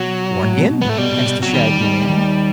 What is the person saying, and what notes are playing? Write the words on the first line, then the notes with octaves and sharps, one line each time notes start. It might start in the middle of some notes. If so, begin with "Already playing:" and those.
"What in?" asked the shaggy man.
Already playing: B2 F#3
A2
B2
B2
B3
A2 A3
B2 G3
B2
B2
C3 F#3
D#2 D#3 G3
D#2 D#3
D#2 D#3